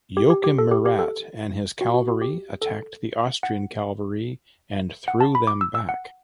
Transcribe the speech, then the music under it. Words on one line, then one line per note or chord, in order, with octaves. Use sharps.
Joachim Murat and his cavalry attacked the Austrian cavalry and threw them back.
G4
G4
G4
A4
G4
G4
A4
F#4
F#4
F#4
G4
A4
F#5
F#5
A5
B5
D6
E6
E6
F#5